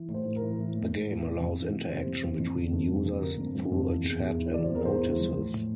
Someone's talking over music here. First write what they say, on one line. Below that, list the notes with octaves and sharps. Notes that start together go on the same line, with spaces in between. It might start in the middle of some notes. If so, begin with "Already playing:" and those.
The game allows interaction between users through a chat and notices.
Already playing: E3
A2
C5
A2
A#4
E3
E3
A2
A2
E3
C3
F2
E3
F2
C3 C5
F2
E3
F2
D3
F2
F3
F2
D3 A#4
F2
F3
F2
E3
E2
E2
E3
E3 D5
C5
E2 A#4
E2 C5
E3
F3
A2
A2